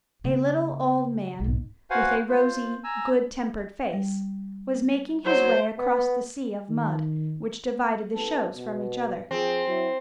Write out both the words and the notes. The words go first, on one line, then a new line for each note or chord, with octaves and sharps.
A little old man, with a rosy, good-tempered face, was making his way across the sea of mud which divided the shows from each other.
C#3 A#3
B1 G#2
F#4 B4 C5 F5 F#5 G#5
F4 C5
G#5 A#5 E6
G3
F#3 C5
B3
D#3
A1 B3 A4
B2
F3 C4 G#4
F#3 E4